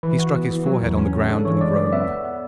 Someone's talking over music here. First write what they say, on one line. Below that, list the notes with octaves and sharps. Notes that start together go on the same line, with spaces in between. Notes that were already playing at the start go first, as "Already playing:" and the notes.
He struck his forehead on the ground and groaned.
E3 B4
F#4
B3
E3
F#3
E2
C#4
C#3
D4 A4
E3 C#5
G#3 D5
D4 D5
B3 E5
B3
B3